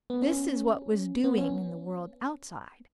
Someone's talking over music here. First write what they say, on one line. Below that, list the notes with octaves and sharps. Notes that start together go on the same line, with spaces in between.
This is what was doing in the world outside.
B3
C#4
B3
C#4